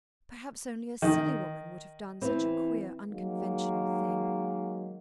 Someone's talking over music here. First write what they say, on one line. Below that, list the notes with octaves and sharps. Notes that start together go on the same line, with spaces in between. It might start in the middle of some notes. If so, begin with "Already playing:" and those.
Perhaps only a silly woman would have done such a queer, unconventional thing.
D#3
E3 C4
D#3 F#3 G#3 A#3